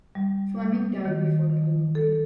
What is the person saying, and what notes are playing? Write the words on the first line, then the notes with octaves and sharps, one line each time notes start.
Fleming, died before polling day.
G3
G3
D#3
D#3
A4